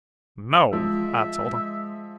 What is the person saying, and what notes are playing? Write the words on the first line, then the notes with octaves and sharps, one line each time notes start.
No,' I told him.
F3 G#3 E5